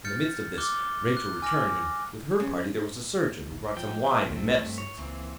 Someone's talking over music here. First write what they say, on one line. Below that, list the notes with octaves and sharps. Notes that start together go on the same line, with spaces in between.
In the midst of this, Rachael returned; and with her party there was a surgeon, who brought some wine and medicines.
F6 G6 A6 C#7
D6 F6 F#6 G7
F#6
G#5 D6 F6 A#6
C#3
A#1
F3 G5
B1 A3 C4
G2
C#5
C#2 E3 A#3 C4